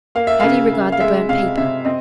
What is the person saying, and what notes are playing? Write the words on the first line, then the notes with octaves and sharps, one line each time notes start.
How do you regard the burnt paper?
A#3 F5
E5
C#3 F5
C#3
F5
G#3 E5
C3 F5
C3 E5
C4 D#5